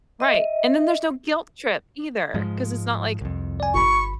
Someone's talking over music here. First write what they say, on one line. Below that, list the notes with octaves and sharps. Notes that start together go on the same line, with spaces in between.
Right, and then there's no guilt trip either, 'cause it's not like
D#5 E5
G#2 F3 G#3
C2 F2
D5 G#5
G1 B5 C#6